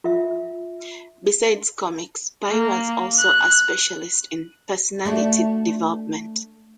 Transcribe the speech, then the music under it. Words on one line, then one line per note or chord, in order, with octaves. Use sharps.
Besides comics, Pai was also a specialist in personality development.
F4 E5
A#3
F#6
A3 D4 F#4